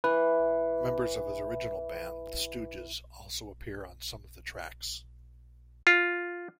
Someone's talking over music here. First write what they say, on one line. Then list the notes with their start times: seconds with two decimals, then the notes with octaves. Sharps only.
Members of his original band The Stooges also appear on some of the tracks.
0.04 E3 B4
5.87 F4